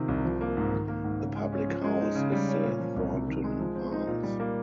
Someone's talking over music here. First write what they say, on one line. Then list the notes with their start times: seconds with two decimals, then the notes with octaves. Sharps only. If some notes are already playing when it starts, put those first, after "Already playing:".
The public house is the Thornton Arms.
Already playing: C3 D#3 F4
0.08 C2
0.24 F3
0.41 A#3
0.57 G#2
0.72 D#3
0.88 A#3
1.04 G#2
1.20 C#3
1.36 G#3
1.52 C#4
1.68 F3
1.84 G#3
2.00 D#4
2.15 C#3
2.32 G3
2.48 C#4
2.64 A#2
2.80 F3
2.96 C2
3.12 C3
3.28 D#3
3.44 G#3
3.59 F3
3.75 C4
3.92 D#4
4.07 A#2
4.23 G3
4.40 A#3